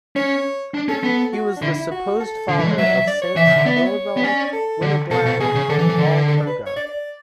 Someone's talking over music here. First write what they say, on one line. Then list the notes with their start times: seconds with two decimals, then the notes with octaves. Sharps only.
He was the supposed father of Saints Willibald, Winiblad and Walpurga.
0.16 C#4 C#5
0.74 D4
0.88 C#4 A4
1.04 B3
1.33 F#4
1.56 D4
1.62 D3 E4
1.76 E4
1.91 F#4
2.20 A4
2.49 D3
2.59 E3
2.68 G#3
2.78 F#3 E5
3.07 D5
3.22 C#5
3.36 E3 E5
3.47 C#3
3.56 D3
3.65 B3 D5
3.76 E5
3.85 C#5
4.17 B3
4.24 C#4 D5
4.39 D5
4.53 A4
4.82 D3
5.11 B2 A4
5.26 B2
5.40 B2 G#4
5.55 C#3
5.69 D3 A4
5.79 E3
5.89 E3
5.98 D3
6.28 A4
6.37 D4
6.47 B4
6.66 C#5
6.76 D5
6.87 D5